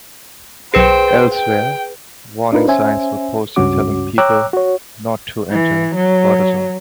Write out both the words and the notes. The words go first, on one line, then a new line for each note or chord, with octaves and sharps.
Elsewhere, warning signs were posted telling people not to enter the border zone.
B1 G#4 B4 C5 G5 C7
G5
D4 D#4 F4 A#4 B4
C#4 C5 E5 G#5
C#2 G2 C#4 F#4 D6
C#5 G5 A#5 D6 E6 F#6
F#4 C#5
E3
F#3